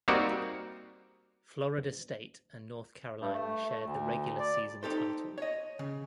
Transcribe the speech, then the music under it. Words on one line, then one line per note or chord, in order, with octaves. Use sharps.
Florida State and North Carolina shared the regular season title.
G3 A#3 C4 D#4 F#4 A#4
G2
A3
A3
D2
D5
D#4 G4 A4 C5
C#5 D#5
C#3